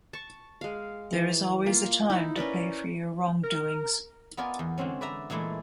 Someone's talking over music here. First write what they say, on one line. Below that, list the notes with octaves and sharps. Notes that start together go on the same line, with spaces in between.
There is always a time to pay for your wrongdoings.
A5 C#6
G#3 F5
E3
A#3 F4
D#4 E4
C#4 A#4 B4 D5
A#4
B3 F4 A#4 D5 D#5 G#5
E2
D3 G#3 C4 C#4
B4 D5 E5 A#5
A#2 E3 G#3 A3 E4